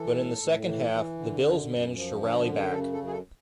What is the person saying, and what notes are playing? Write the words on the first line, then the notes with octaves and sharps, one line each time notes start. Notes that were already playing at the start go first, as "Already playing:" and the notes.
But in the second half, the Bills managed to rally back.
Already playing: E3 A4
A2
A2
E3
E3
D3
F#2
F#2
F3
D3
F#2
C#3 A4
A4
F#2
G#4
A4